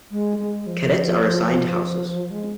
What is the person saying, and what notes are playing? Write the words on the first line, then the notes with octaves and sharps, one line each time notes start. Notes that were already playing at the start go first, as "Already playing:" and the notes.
Cadets are assigned to houses.
G#3
G#3
F3
G#3